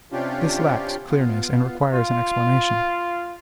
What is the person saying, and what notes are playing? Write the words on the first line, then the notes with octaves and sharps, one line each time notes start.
This lacks clearness, and requires an explanation.
C3 C#4 D4 F4 G4
B3 F4
F4